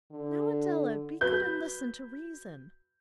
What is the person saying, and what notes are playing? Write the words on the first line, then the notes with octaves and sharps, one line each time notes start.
"Now, Adela, be good and listen to reason."
D3
F#3 B4 G6